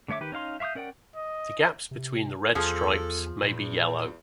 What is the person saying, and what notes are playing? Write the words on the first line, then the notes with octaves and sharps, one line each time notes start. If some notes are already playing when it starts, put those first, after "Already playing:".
The gaps between the red stripes may be yellow.
D3 A3 C#5 E5 D6
D#3 G4 B4
C#4 D#4 F5 C6
E5 F5 C#6 D#6 G6
C#4 A#4 D5 F#5 G5
D#5
C3
E2 F3 G#4 A4
E2 A#2